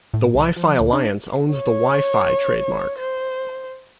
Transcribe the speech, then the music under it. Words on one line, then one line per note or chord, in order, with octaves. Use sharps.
The Wi-Fi Alliance owns the "Wi-Fi" trademark.
A2
C2
F3
D2
D4
C#5
C5